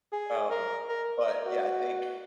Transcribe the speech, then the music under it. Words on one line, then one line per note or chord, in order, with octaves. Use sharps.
um, but, yeah, I think,
G#4
A#4
A#4
A#4
F#4